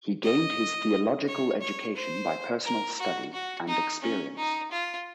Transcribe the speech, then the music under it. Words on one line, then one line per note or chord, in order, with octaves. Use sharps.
He gained his theological education by personal study and experience.
D#5
C#5
C#5
C5
A#4
F#4
F#4
D#4
C#4
D#4
F4